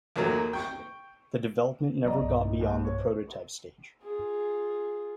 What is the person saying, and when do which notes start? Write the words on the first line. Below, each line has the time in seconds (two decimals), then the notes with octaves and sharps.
The development never got beyond the prototype stage.
0.16 D#2 D#3 F#3 A3 A#3
0.53 G5 C#6
2.05 F#3 B3 D5 D#5 A#5
2.20 B1 G2
2.39 A2 D#4
2.60 G#1 D#2
2.85 C#5
2.99 C5
4.03 F4 G#4